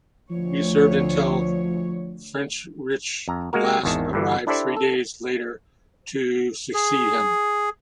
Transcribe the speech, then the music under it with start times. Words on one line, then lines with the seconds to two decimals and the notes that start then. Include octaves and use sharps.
He served until Friedrich Last arrived three days later to succeed him.
0.31 D2 F3 C#5
3.28 F2 A#5
3.53 G#3 A#3 F#4 A#4
3.83 G#1 E2 D#3 A5
4.13 G2 D3 E3
4.47 D4 E4 G4 A4 C5 D5
4.77 A4
6.74 G#4